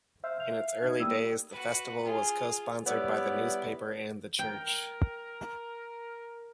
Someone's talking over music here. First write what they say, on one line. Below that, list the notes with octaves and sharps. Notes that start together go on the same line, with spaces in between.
In its early days, the festival was cosponsored by the newspaper and the church.
C5 E5 F5
F5 F7
D#4 G#6
G3 A#3 D#6 E6
F#4 B4
F4 G#4
G3 B3 E4 C#5 D5
A#4 G5